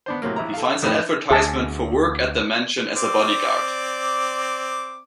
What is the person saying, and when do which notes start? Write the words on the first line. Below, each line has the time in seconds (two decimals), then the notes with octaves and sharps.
He finds an advertisement for work at the Mansion as a body guard.
0.06 B3 D4 C5
0.22 A2 C3 F#3 A#3
0.36 A#1 E4 A#5
0.54 A4 F5
0.82 F2 A2 D#4 A4 G5 B5
1.31 D2 G#4 A5
2.96 C4 D5 D6